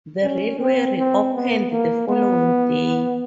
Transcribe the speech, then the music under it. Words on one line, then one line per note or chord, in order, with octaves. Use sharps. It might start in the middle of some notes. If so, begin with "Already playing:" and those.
The railway reopened the following day.
C#4
C4
C4
B3
A#3
B3